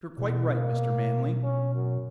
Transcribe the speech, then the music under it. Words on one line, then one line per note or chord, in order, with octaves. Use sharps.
You're quite right, Mr. Manley.
E2 B2
A#3
C#4
F#2